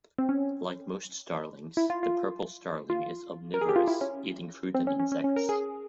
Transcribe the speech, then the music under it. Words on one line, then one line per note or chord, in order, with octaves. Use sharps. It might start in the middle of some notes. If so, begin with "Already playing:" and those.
Like most starlings, the purple starling is omnivorous, eating fruit and insects.
C4
C#4
E4
F4
F4
F4
A#4
G#4
G4
F4
E4
C#4
C4
C#4
C#4
C#4
C#4
A#4
G#4